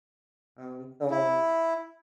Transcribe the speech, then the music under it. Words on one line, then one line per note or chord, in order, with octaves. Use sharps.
um so,
E4